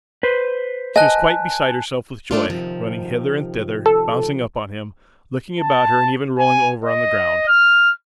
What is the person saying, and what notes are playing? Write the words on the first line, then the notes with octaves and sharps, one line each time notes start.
She was quite beside herself with joy, running hither and thither, bouncing up on him, looking about her and even rolling over on the ground.
B4 C5
D#5 G#5 A5 F#6
A3 D4 F4
C3 D#3 F3
A4
A5
G#5
D#5
F6